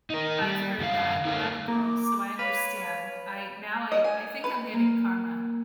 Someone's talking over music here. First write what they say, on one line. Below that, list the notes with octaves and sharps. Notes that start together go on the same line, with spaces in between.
I've heard that and I'm a girl, so I understand. I now I I think I'm getting karma
D#4 A#4
G3
F#2 D3 G4 F5
D#4 A4 A#4 F5
A#3 D6
B4 C#5 F5
D#5
G#5
B4
A#3